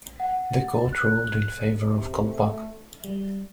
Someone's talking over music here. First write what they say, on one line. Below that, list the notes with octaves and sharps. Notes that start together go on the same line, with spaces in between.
The Court ruled in favour of Kolpak.
F#5
F#6
C3
A3
G3